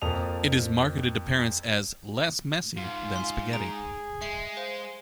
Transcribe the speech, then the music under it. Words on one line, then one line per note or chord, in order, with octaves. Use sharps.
It is marketed to parents as "less messy" than spaghetti.
F2 F3 A#3 A5 D#6 F7
G#2 F4
F5 C6
G#4 A#5 D7
G#3 E5 C7
C5 F5